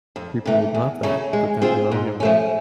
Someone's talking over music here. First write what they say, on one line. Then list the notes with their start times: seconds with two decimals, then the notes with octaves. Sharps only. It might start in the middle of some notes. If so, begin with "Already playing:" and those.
People would love that, put that in their own yard.
0.16 F2
0.46 C3 E3 A3
0.75 E2
1.03 C#3 F#3 A3 C#4
1.33 G#3
1.62 C4 F4 G#4 C5
1.91 G#2
2.20 F3 A3 C#4